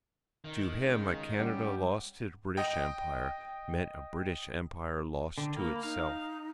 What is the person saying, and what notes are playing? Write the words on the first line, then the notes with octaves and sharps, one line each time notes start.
To him a Canada lost to the British Empire meant a British Empire lost to itself.
D#3
C#3 G#3
G3 C#4 F#5
D#5 G5
D3 G5
A#3 B5
D#4 F5